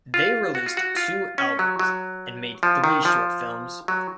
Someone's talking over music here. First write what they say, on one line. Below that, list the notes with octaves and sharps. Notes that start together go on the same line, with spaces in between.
They released two albums and made three short films.
F4
F#4
F4
F#4
F4
C#4
F#3
F#3
F3
D#3
F3
F#3